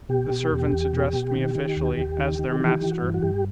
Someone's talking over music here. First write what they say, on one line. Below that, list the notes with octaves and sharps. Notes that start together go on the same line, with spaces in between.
The servants addressed me officially as their master.
B2 G4
B2
E2
E2
B2
B2
D#3
D#3
D#2
D#2
D#3
D#3
E3 G4
E3
F#4
G2
F#4
G2 G4